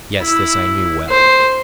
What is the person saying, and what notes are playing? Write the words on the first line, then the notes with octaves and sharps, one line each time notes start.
Yes, this I knew well.
E4
C5